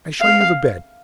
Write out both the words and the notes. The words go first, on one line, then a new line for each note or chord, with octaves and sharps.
I show you the bed.
F5